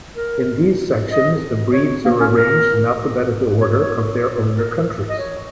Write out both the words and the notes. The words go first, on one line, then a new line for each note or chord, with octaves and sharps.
In these sections the breeds are arranged in alphabetical order of their owner countries.
A#4
D#5
C#5
A#3
C#4
A#4
C#5
C#5
A#4
D#5
C#5